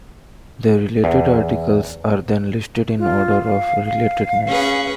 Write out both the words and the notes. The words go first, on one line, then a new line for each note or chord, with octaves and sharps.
The related articles are then listed in order of "relatedness".
E2
F4
F5
F5
C#4 G#4 B4